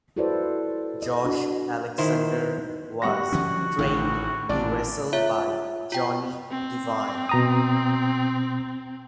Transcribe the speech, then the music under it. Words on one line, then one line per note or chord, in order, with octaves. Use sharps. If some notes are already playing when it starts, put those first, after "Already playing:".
Josh Alexander was trained to wrestle by Johnny Devine.
E4 F#4 A4 B4 C5 D5
D#5
D4 F#4
D#3 E4 C5
G3 F#4 F#5 A#6
D3 F3 C#4
A1 D2 A2 D#3
A1 D4 D5
F4 C#5 E5
F4 G5
C4
B2 A#5 D#6